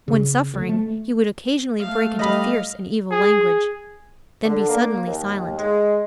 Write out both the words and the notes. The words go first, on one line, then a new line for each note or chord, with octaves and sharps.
When suffering, he would occasionally break into fierce and evil language, then be suddenly silent.
C#3
D2
A3
A3 F5
G3 D#5 F5 B5
G#4
D3
A#3
D#2
G#3